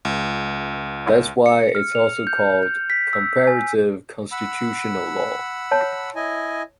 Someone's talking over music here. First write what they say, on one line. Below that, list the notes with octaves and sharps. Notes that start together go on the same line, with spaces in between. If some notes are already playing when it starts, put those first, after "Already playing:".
That’s why, it’s also called “comparative constitutional law”.
C#2
C#7
F6
F7
G6
G6
B6
E6
G#5
F#5 B5 E6
C#5 A5
E4 D#5 G#5